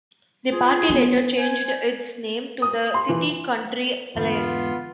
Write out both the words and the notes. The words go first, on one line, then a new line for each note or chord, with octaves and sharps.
The party later changed its name to the City Country Alliance.
F4 G#4
B3
C5 G#5
D#6
C6
E3
E2 G#2 D3 B3 F4